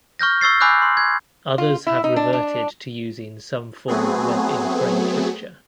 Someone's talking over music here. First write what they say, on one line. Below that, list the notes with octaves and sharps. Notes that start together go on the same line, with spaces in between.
Others have reverted to using some form of web in prey capture.
C#6 F6 G6 A#6
C#6 E6 A6 C7
G#5 B5 D6 E6 F#6 G6
C6
G#6
F4
E4
D#4
D4
D4
F#3 A3 B3 C4 F#4 G#4